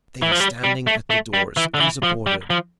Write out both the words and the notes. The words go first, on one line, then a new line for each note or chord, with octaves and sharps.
They are standing at the doors unsupported.
E3
F3
G3
G3
A3
A3
G3
E3
D3
E3
F3
G3
F3